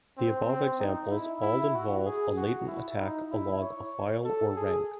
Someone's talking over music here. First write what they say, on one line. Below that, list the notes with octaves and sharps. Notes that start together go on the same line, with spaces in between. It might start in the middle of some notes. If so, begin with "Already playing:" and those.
The above examples all involve a latent attack along a file or rank.
C4
C4
D#4
E4
E4
F#4
G#4
F#4
E4
D#4
E4
C#5
A4
G#4